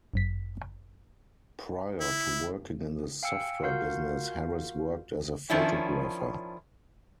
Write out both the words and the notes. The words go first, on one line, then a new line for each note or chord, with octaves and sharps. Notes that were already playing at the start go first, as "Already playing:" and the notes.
Prior to working in the software business, Harris worked as a photographer.
G1 F#2 B6
E4
F5 G5 G#5 E6 C#7
F4 F#4 A#4 F5 F#5 G6
D#3 F3 C#4 D4 E4